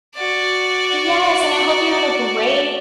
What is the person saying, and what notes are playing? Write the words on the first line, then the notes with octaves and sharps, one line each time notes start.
Yes, and I hope you have a great
F#4 D5